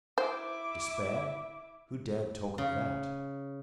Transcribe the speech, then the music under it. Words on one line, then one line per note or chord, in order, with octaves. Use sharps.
Despair! Who dared talk of that?
E4 C5 D6
C#3